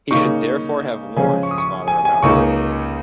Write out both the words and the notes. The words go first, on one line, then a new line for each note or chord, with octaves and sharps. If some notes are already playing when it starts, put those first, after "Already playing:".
He should therefore have warned his father about her.
C#3 A#3 D#4 C#6
C#3 F3 G#3 C#4 G#5
C#6
D#6
C#6
G#5
G#5
C#2 C#3 A#3 D#4 C#6